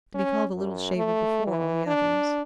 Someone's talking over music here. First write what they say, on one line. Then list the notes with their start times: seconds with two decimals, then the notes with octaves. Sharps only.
To be called "a little shaver" before all the others!
0.15 C#4
0.55 F#2
0.96 A3
1.47 E3
1.87 D4